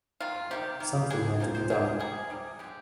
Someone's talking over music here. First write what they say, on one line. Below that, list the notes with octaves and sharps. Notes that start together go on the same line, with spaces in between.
Something had to be done.
D#3 G#3 F4
C3 D#3 G3 G4
D#3 A#3
D3 G#3 G#4
D#3 A#3 C5
C5
C3 G3 A#3 G#4
C3 G3 A#3 G#4
C3 G3 A#3
D3 G#3 G4